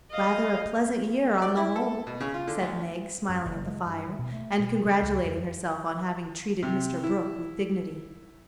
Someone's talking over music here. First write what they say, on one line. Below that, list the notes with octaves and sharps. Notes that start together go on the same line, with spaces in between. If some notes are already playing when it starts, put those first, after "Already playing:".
"Rather a pleasant year on the whole!" said Meg, smiling at the fire, and congratulating herself on having treated Mr. Brooke with dignity.
D#5 F5
D5
E4
A4
B2
C#3
F4
D3
D2
F#2
F#1
G#3
G2
D#3
B2
A3
B2
C#3
C#2
F2
C3
E4